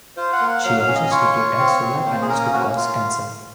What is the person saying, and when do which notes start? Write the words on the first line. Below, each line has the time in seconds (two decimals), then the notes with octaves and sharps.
She also stated that solar panels could cause cancer.
0.17 F4 C5
0.33 F#5
0.41 A#3
0.48 F#5
0.64 F#3 F5
0.80 F5
0.88 C#4
0.95 D#5
1.11 F4 C#5
1.34 F4
1.59 C4
1.82 C4
2.06 A#3 C5
2.22 G#4
2.29 C#4 A#4
2.53 A#3 F#4
2.77 F4